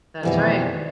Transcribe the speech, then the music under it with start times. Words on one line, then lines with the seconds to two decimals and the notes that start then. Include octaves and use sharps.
That's right.
0.23 F2 B2 D#3 E3 G3